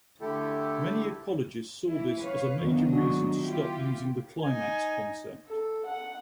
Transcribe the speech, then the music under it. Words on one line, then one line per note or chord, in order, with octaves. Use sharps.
Many ecologists saw this as a major reason to stop using the climax concept.
D3 A3 E4 G4 A4
E3 E4
B4 C#5 F5
D#3 F#3 B3 D4 D#4
F#4
E4 F4 G4
D#4 G#5
A4
F#5